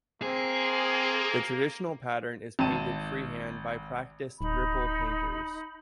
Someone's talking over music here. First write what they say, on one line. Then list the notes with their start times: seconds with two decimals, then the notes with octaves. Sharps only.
The traditional pattern is painted free-hand by practised "ripple" painters.
0.22 A#3 C4 G#4
2.59 G#1 C4 A5 D#7
4.41 D1 D#4 B5